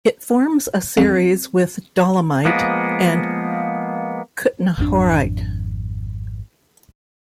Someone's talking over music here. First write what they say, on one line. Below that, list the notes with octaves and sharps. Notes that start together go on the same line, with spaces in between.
It forms a series with dolomite and kutnohorite.
F2
F3 G#3 A#3 B3
G#1 F2 B2 D4